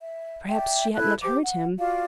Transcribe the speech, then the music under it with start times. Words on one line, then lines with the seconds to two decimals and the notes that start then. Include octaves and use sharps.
Perhaps she had not heard him.
0.01 E5
0.49 D5 E5 G5
0.96 E4 A4 F#6
1.23 G4 C5 D6
1.43 F#5
1.78 F4 F#4 D5 F5